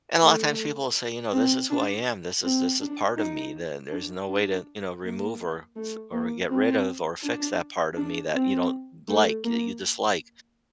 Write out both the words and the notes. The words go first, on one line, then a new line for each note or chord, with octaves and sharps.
and a lotta times people will say, you know, "This is who I am. This is this is part of me. There there's no way to, you know, remove or f or get rid of or fix that part of me that you don't like, that you dislike."
A3
C4
D4
C4
D4
D#4
D4
D4
A#3
A3
A#3
C4
D4
D4
C4
A3
A#3